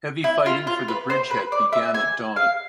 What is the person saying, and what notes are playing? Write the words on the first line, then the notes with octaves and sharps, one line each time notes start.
Heavy fighting for the bridgehead began at dawn.
E4
F4
F4
B4
C5
B4
D5
E5
G#5
F5